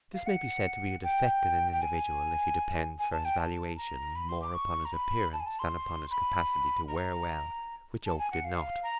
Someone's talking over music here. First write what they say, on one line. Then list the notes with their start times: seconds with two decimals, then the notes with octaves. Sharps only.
This may be said to be a defect in an individual if he depends for his valuation more upon his appearance than upon his capacity to wear well, which Oak did not.
0.14 F5
0.26 F#5
1.03 G5
1.72 G5
1.81 G#5
2.99 G#5
3.12 A5
3.25 G5
3.38 A5
3.77 A#5
4.15 B5
4.29 C6
4.42 D6
4.55 C#6
4.85 A#5
4.93 B5
5.33 A5
5.40 G#5
5.46 A5
5.59 C6
6.11 B5
6.88 A#5
8.06 A5
8.19 G#5
8.32 F#5
8.45 F5
8.83 A#5